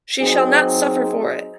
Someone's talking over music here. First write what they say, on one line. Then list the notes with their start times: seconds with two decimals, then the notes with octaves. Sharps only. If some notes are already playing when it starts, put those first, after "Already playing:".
She shall not suffer for it!
0.20 F#3 C4 D#4 G#4